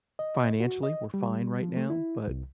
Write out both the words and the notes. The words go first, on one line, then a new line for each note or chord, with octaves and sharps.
financially, we're fine right now, but
D#5
F#4
D#5
G3
F3
A3
E4
C2